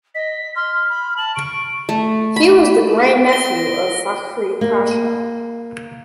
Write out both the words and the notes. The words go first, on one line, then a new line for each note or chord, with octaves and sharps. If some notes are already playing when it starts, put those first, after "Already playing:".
He was the grandnephew of Fakhri Pasha.
D#5 B6
C6 F6
B5
A5 F#7
C#6 D7
A3
B5
A#6 D7 G7
A#3